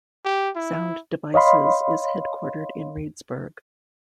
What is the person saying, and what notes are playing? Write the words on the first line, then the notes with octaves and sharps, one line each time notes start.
Sound Devices is headquartered in Reedsburg.
G4
E4
C#5 D#5 F5 B5 C6